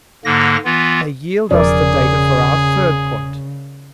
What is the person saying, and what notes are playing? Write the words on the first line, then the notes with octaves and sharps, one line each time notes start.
They yield us the data for our third point.
G#2 D3 A#3 A#6
E3 B3 F4
E1 C#3 F3 C#4 G#4 A#4 D5